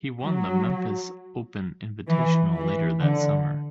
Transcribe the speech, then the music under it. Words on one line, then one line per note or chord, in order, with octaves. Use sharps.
He won the Memphis Open Invitational later that summer.
F#3
E3
E3
D3